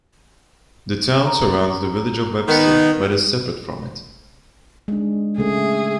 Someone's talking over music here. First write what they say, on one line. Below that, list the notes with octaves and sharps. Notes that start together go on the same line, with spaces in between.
The town surrounds the village of Webster but is separate from it.
A#5
D#3 B3
G#3 D4
C#3 A3 G#4